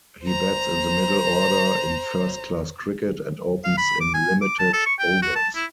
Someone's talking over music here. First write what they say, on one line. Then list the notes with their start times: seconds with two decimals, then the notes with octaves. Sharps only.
He bats in the middle order in first-class cricket and opens in limited-overs.
0.24 C5 A#5
3.64 F5
3.78 B5
4.01 D6
4.14 G#5
4.42 D6
4.59 A5
4.73 A4
4.86 C#6
4.99 G5
5.22 F#4
5.36 A5
5.55 E4